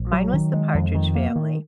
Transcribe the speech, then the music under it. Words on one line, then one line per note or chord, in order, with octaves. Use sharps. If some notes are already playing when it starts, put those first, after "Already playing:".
Mine was The Partridge Family.
Already playing: A#1
F#3
D#3
G#3
F2
D#3
A#3
D#3